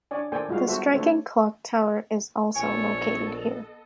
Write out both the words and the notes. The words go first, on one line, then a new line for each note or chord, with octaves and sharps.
The striking clock tower is also located here.
D4 C#5 D5 G#5
A#3 A4 C5 D5 G5 G#5
G3 G#3 F4 F#4 F5
B3 F#4 A4 C5 E5
A3 D4 A4 C5 C#5
A#1 B3 A4 C#5 D#5 G#5